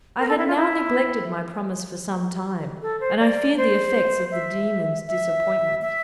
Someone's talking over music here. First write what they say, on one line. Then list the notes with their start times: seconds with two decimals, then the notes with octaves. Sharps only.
I had now neglected my promise for some time, and I feared the effects of the daemon's disappointment.
0.19 A#4
0.28 A4
0.38 E4
0.47 F4
0.56 E4
2.82 A4
3.00 C5
3.19 D5
3.57 C5
4.31 E5
5.08 E5
5.82 E5